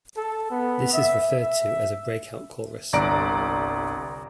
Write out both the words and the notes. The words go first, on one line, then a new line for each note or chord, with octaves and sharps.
This is referred to as a breakout chorus.
A4
B3
E5
E5
G1 C2 D5 A#5 D7